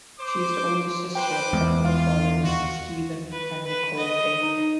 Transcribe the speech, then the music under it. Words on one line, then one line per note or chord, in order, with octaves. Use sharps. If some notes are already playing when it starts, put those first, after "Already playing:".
She is the older sister of fellow footballers Stephen and Nicole Payne.
C5 D6
B4 C5 G5 D6
E2 G#3
F4 F5
D#2 F#4
B4
B4
D#5
D#4